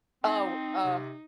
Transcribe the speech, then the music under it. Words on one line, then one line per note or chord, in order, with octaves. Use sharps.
Oh, uh,
C4 D#4
C3